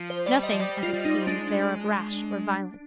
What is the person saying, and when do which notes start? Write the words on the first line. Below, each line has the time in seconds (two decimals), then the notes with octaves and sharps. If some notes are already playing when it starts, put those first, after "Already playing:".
Nothing, as it seems, there of rash or violent.
Already playing: F3
0.10 C5
0.26 G3 D5
0.43 D#5
0.53 F3
0.59 G3 D5
0.83 F4
0.94 G3
1.05 D#4
1.27 G#3 D4